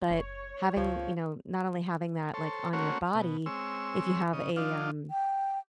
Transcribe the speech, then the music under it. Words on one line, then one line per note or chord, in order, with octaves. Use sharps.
but having you know, not only having that, like, on your body, if you have a, um
F#1 C#5
C#2 F3
A4 C5 C#5
A3 A#3 C#4 F#4 C5 C#5
B2
G#3 C4 C#5 E6
C#3 D#5
F3 D4 D#4 F4
G5